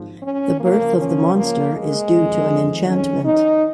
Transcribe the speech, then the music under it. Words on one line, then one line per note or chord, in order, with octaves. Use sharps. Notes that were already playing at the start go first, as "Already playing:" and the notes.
The birth of the monster is due to an enchantment.
Already playing: G#1 G#2 F3
C#4
C#2 C#3 F3 A#3
C#4
A#3
G#3
F2 D#3
C#4
D#4